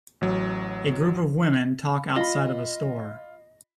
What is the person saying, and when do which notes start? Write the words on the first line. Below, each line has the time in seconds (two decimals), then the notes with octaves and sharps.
A group of women talk outside of a store.
0.21 A1 F#3
2.16 F4 D#5 B5